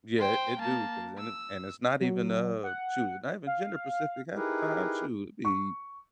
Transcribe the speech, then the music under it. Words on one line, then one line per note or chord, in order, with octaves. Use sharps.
Yeah, it it do 'cause and and it's not even, uh, shoot, it's not even gender-specific half the time, shoot, it be
C5 G5
A#3 A5
E6
F#3
F#5
F5
D#4 E4 G4 G#4 A#4 B4
C#6